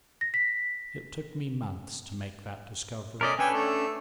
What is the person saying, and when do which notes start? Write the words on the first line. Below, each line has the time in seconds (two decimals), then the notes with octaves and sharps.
It took me months to make that discovery.
0.21 A#6
0.34 B6
3.21 A3 C#4 A#4 D5 D#5
3.39 C#4 D4 A4 B4 G5 G#5
3.54 A3